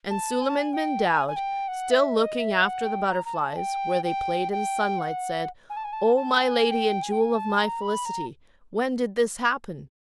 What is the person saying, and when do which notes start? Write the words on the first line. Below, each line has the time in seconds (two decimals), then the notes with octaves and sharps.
And Suleiman-bin-Daoud, still looking after the Butterflies where they played in the sunlight, said, 'O my Lady and Jewel of my Felicity, when did this happen?
0.10 A5
0.41 G#5
0.49 A5
0.57 G#5
0.73 G5
1.05 G#5
1.28 G#5
1.36 G5
1.68 F#5
1.91 E5
2.15 D#5
2.39 E5
2.62 F#5
2.86 G5
3.10 A#5
3.25 A#5
3.34 A5
3.57 G5
4.04 G5
4.51 G5
4.98 F#5
5.70 G#5
5.76 A5
5.84 G#5
5.93 A5
6.16 A5
6.40 G#5
6.71 G5
7.02 G#5
7.12 G5
7.21 G#5
7.35 A5
7.58 A#5
7.81 B5
8.05 A#5